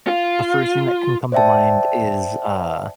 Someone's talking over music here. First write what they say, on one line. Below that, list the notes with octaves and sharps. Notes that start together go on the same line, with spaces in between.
the first thing that can come to mind is, uh,
F4
C5 D5 E5 G5 A5